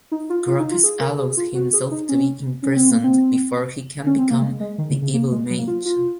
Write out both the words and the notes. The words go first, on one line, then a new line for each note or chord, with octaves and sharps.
Crocus allows himself to be imprisoned before he can become the Evil Mage.
D#4
F4
F4
D#4
F4
G#4
A#4
G#4
F4
F#4
G#4
D#4
C#4
C#4
C4
A#3
C4
C#4
C4
A#3
G#3
G#3
D#3
C#3
C#3
A#3
G#3
F#3
A#3
F4
F4